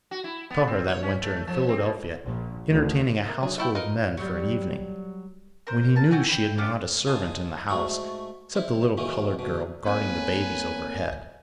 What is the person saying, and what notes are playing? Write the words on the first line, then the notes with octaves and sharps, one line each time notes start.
He saw her that winter in Philadelphia entertaining a houseful of men for an evening, when he knew she had not a servant in the house except the little colored girl guarding the babies overhead.
F#4
E4
B3
C4
C#5
C#4
A3
F3
C4
B2
A#1
D2
A#4 E5
F#3 D4 F#4 G#4
A3 E4 G5
D#4 F4 A#4 B4
F#3 G3
A#4 C5
A#4 A5
A3 F#4 G5 G#5
E4 G5
C#4 D4 F4 G4
D#4 F4 G#5 A5 C6
G#2 A3 F#4 C#6
C4 E4
E2 D#3 E3 F#3 A#3
D2 B2
A3 A#3 C4 A#4 B4 C#5 G#5